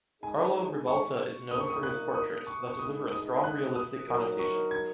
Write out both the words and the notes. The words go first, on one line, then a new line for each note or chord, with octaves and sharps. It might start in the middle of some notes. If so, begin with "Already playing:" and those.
Carlo Rivalta is known for his portraits, that deliver a strong realistic connotation.
G#3 D#4 G#4 G#5
C#6
A#2 A#3 D#4 A#4 D#6
C#6
D#6
F#6
D#6
C#6
C#6
A#2 G#3 D#4 G#4 D#6
D#6
F#6
D#6
F#3 D#4 A#4
C#6
G#6